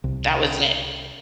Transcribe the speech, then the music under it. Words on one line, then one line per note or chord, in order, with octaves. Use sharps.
that was it.
C2